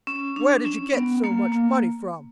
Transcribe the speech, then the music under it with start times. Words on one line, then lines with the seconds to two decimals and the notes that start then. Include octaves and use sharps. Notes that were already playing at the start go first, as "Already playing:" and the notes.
'Where did you get so much money from?'
0.07 C#4
0.36 D4
0.65 C#4
0.95 B3
1.24 A#3
1.52 A#3